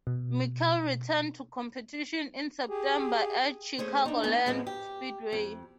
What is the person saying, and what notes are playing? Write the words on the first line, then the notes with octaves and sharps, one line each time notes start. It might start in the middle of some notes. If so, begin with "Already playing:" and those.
McClure returned to competition in September at Chicagoland Speedway.
B2
G4 G#4
A3 C#4 G#4 C5
D4 D#4
A3 B3 D#4 E5 G#5
E2 A2 F3 G#3 B3
G4
F2